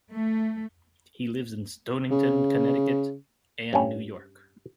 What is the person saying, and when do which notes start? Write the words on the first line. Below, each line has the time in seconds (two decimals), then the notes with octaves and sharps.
He lives in Stonington, Connecticut, and New York.
0.10 A3
2.10 C#3
3.73 G2 C#4